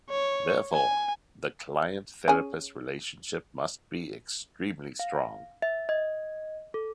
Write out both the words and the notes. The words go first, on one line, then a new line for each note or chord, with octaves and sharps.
Therefore, the client-therapist relationship must be extremely strong.
C#5
G#5
C#4 G#4
F5
E5
D#5
A4